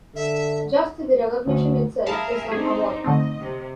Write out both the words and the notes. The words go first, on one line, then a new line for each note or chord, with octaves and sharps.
Just the recognition itself is an award.
D3 E5
D2
G#4 A#4 E5 F5 A5 B5
C4 D4 D#4 G#4
D3 A3 C4 D#5
C3